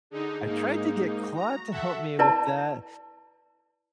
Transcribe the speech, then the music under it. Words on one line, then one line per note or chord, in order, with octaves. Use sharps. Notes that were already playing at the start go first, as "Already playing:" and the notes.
I tried to get Claude to help me with that,
D3 D#4 G#4
G#2 A#3 D#4
F#4 A#5
A4 E5 F#5
E4 B4 D5 A5 A#5